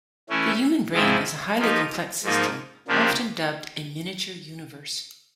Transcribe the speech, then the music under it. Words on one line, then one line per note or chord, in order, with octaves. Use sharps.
The human brain is a highly complex system often dubbed a miniature universe.
E3 A3 C#4 E4
G#2 F3 G#3 C4 E4
F3 A#3 D#4 G4
G#2 F3 A#3 D#4
C#3 F3 A#3 D4 G4